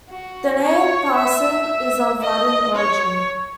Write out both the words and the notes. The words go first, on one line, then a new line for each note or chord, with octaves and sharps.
The name "Parcent" is of Latin origin.
F#4
C#5
E5
D#5
C#5